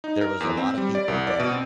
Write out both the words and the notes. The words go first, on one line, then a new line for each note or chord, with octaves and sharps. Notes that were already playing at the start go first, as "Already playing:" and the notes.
there was a lot of people that
D#4
A#4
E2
C4
G3
D5
C2
D5
B2
C4